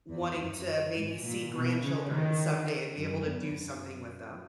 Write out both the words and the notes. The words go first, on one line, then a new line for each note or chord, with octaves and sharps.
w wanting to maybe see grandchildren someday and be able to do something with them.
E2
F#2
G#2
A#2
B2
C#3
D#3
F#2
E2
F#2